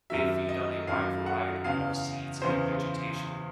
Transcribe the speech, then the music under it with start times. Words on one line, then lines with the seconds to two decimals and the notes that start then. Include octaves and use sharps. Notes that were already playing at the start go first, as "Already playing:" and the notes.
They feed on a wide variety of seeds and vegetation.
0.10 F#2 D#3 F#3 E5
0.49 D#5
0.87 F#2 D#3 F#3 F5
1.26 F#5
1.64 E2 C#3 E3 F5
2.42 E2 C#3 E3 C5